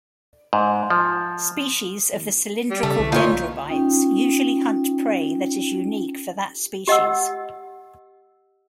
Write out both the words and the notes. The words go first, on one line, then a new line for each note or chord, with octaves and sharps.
Species of the cylindrical Dendrobites usually hunt prey that is unique for that species.
G#2
F3
G3
C#3 A3
C2 D3 E3
A#2 D#4 F4 C#5
C#4 D#4 F4 G5
G4 D#5 F#5 E6